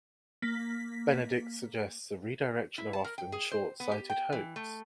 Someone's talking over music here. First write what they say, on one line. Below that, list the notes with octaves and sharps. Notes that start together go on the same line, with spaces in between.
Benedict suggests a redirection of often short-sighted hopes.
A#3 B6
E4
A5
A#4
G5
G#4
C5
B3
G4
G5
E3
A3